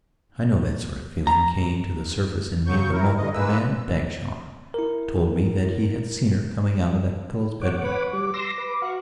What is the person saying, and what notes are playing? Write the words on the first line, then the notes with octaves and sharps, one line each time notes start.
I know that sort of feeling came to the surface in me the moment the man Bagshawe told me that he had seen her coming out of that fellow's bedroom.
A#5
C#3 F#3 C#6 G6
E4 A#4
G2 D3 D#5
G#2 G#3 A#3 B4 E6
E4 A#4
C#5 F#5 D6
B4
G3 D6
C6 E6 A#6
B4
F#4 F5 C#6